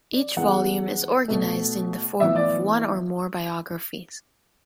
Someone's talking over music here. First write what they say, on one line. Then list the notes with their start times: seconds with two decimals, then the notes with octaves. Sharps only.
Each volume is organised in the form of one or more biographies.
0.13 D5
0.37 E2 C#3 G#3 B3 F#5
1.28 B2 A3
2.20 A2 E3 B3 E5
2.36 D5